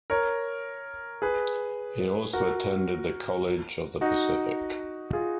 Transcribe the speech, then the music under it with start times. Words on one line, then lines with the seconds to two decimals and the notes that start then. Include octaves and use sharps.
He also attended the College of the Pacific.
0.10 A#4 C#5
1.22 G#4 B4
2.33 F#4 A#4
4.01 D#4 F#4
5.13 F4 G#4